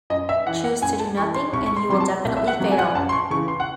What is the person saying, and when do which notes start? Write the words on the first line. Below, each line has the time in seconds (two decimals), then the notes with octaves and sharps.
Choose to do nothing and you will definitely fail.
0.10 F#2 D#5
0.29 E5
0.47 E3 F#5
0.64 F#5
0.81 F#2 G#5
1.00 A5
1.17 E3 C#6
1.35 C6
1.53 C2 C#6
1.66 C#6
1.76 C6
1.89 C3 F#3 C6
2.00 A5
2.25 C2
2.37 E5
2.47 F#5
2.60 C3 F#3
2.72 G#5
2.78 F#5
2.85 G#5
2.95 F#2 A5
3.09 C6
3.12 C#6
3.30 C#3 E3 C#6
3.48 C6
3.60 F#5